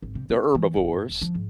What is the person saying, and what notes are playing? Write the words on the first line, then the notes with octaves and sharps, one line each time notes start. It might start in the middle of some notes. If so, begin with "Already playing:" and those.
they're herbivores,
G#1
C3
C4
E3
D#1
F#2
D#1
F3
G#2